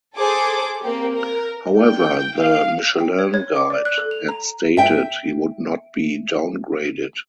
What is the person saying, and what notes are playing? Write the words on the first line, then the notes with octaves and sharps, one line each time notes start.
However, the Michelin guide had stated he would not be downgraded.
G#4 A4 C5 D6
A#3 C4 G4
A#4
G5
F5
G5
C#5
C#5
D6
D5
F#6
A4
F7
A#5
E5 G5